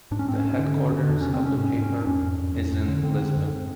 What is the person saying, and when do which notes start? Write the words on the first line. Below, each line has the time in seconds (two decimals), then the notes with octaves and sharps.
The headquarters of the paper is in Lisbon.
0.11 G#2 D4
0.19 C#4
0.27 G#2 C4
0.37 C#4
0.44 G#2
0.59 D3
0.76 D3
0.92 D3
1.09 E2 D4
1.21 C3 C#4
1.34 C4
1.41 C3 C#4
1.57 G#2 C#4
1.74 G#2
1.82 C#4
1.89 G#2
2.02 D4
2.06 F2 C#4
2.23 F2
2.39 F2
2.54 F2
2.72 F2
2.88 D3
3.03 D3 C4
3.20 D3
3.37 F#2